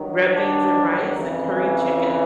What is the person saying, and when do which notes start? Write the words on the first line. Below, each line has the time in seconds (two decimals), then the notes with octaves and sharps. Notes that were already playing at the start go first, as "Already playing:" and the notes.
red beans and rice and curry chicken,
Already playing: G2 D#3 F#3
0.33 D4
1.17 F2 C#3 E3